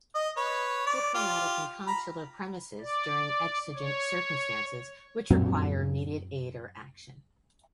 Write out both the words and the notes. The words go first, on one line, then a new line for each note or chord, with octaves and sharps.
Diplomatic and Consular premises during exigent circumstances, which require immediate aid or action.
D#5
B4 C#5
D5
F4 G4
A#5 B5
D5
C#5
F#2 A#2 F#3 C4